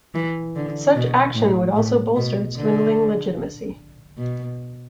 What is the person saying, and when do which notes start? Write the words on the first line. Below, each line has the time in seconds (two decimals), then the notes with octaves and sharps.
Such action would also bolster its dwindling legitimacy.
0.14 E3
0.56 D3
0.95 B2
1.35 A2
1.76 A2
2.16 B2
2.57 D3
4.18 B2